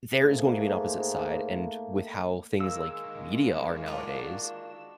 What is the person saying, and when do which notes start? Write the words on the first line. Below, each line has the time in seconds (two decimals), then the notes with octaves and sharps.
There is going to be an opposite side, and with how things like media are nowadays,
0.23 G#2 A3 A#3
2.60 D#3 G#3 A#3 E6
3.86 D4 F4 F#4